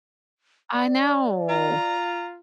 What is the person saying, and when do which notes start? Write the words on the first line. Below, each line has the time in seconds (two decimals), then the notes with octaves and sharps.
I know.
0.73 D5
1.49 F4 A#5